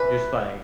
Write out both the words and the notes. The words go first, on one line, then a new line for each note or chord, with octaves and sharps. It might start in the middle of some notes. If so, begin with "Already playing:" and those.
just, like,
Already playing: E3 B4